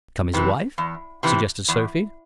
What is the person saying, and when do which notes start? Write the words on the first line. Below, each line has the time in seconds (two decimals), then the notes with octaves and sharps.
"Become his wife?" suggested Sophie.
0.34 C3 E3
0.78 E2
1.23 C3 E3
1.68 E2